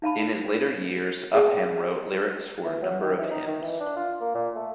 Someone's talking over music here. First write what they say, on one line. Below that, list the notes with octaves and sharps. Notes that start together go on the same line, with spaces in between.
In his later years Upham wrote lyrics for a number of hymns.
D#4 F5 A5 B5
G#4 F#5 G5 A5
E3
F#3
D#3
E3
D#4
D#3
E3
D4
F4
A#3
A#2
A3